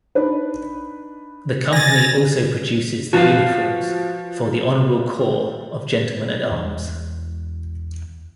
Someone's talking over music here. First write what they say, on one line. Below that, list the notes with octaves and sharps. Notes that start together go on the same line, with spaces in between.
The company also produces the uniforms for the Honourable Corps of Gentlemen at Arms.
D4 D#4 B4
G#5 A6 A#6
F3 F#4 B4 F5
E2 G#3